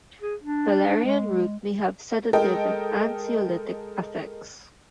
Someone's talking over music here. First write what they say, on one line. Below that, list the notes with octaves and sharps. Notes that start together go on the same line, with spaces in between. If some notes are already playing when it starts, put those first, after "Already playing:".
Valerian root may have sedative and anxiolytic effects.
G#4
D4
G#3
G#3 A4 A#4 D#5 G5